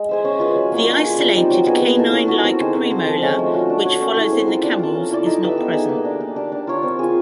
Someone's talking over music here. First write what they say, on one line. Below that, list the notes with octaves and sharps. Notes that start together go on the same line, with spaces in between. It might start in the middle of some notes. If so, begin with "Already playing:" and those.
The isolated canine-like premolar which follows in the camels is not present.
Already playing: G#3
G#4 C5 E5
C#4
F4 G#4 B4
F#3
A#3 C#4 F4
D4
F4 G#4
G3
C4 D#4 G4
F#3
B3 D#4 G#4
B3
E4 A4
C#4
F#4 A#4
C4
D#4 G#4 C5
C4
F4 A4 C5
F3
G#3 C#4
A3
C#4 F#4
D4
F#4 A4 C#5
C#4
E4 G#4
C4
F4 A#4
D4
F4 A4
C#4
E4 A4 D5
D#4
G4 B4 E5
B3
D#4 G#4 B4
A#3
D4 G4
A#3
D4 G4
D4
F4 A#4 C#5
C4
F4 G#4